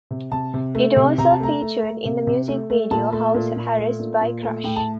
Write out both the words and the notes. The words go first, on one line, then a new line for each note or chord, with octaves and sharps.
It also featured in the music video "House Arrest" by Krush.
C3
C3 A5
C3
A3
C3
C3 A#5
A5
A3 A#5
A3
A3
C3
C3
A3
A3
A#2 A5
A3
A#2
A#2
A3
A#2
A#2
A3
A2 G5
A5